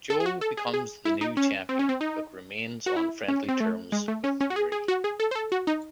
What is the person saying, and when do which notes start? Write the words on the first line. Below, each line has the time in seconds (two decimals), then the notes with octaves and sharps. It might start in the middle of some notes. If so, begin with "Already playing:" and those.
Joe becomes the new champion but remains on friendly terms with Yuri.
0.10 A4
0.20 G#4
0.26 F#4
0.41 A4
0.57 G#4
0.74 G#4
1.05 E4
1.21 D#4
1.37 C#4
1.69 C4
1.79 C#4
1.89 C4
2.01 D#4
2.86 F#4
2.96 E4
3.28 C#4
3.48 C4
3.60 A3
3.92 G#3
4.08 A3
4.24 C#4
4.41 C#4
4.50 F#4
4.56 G#4
4.72 G#4
4.88 F#4
5.04 G#4
5.20 A4
5.31 C5
5.35 A4
5.52 F#4
5.67 D#4